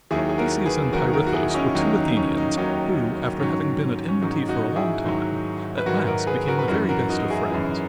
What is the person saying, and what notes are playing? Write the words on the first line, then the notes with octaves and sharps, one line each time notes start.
Theseus and Pirithous were two Athenians, who, after having been at enmity for a long time at last became the very best of friends.
D#2 D#3 F#3 E4 G#4
G#4
F#4 A#4
G#4 B4
D#2 D#3 F#3 F#4 A#4
F#4 A#4
F#4
E4 G#4
D#4
C#4 E4
D#2 D#3 F#3 D#4
D#4
C#4
D#4
D#2 D#3 F#3 D#4
G#2 D#3 F#3 C#4
C#4
G#2 D#3 F#3 D#4
D#4 F#4
E4 G#4
G#2 D#3 F#3
B4
G#2 D#3 F#3 F#4 A#4
F#4 A#4
G#4 B4
F#4 A#4
B4
F#2 E3 F#4 A#4
F#4 A#4
D#4 F#4
E4 G#4
F#2 E3